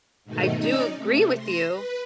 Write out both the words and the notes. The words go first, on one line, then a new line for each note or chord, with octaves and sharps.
I do agree with you
G#2 B2 D#3 A3 D#4
C#4 D#4 D5 D#5
C3 A3
C6 A#6
B4